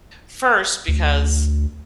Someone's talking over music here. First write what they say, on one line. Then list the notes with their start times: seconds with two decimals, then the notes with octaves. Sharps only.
First, because
0.88 D2